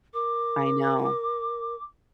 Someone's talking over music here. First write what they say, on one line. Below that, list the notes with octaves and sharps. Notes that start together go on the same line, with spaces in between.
I know.
A#4 D6